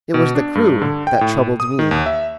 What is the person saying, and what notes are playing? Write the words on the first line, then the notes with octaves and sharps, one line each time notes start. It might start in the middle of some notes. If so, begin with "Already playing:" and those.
It was the crew that troubled me.
B2
D4
G2
D3
G5
A2
D#6
D#3
D#2
E5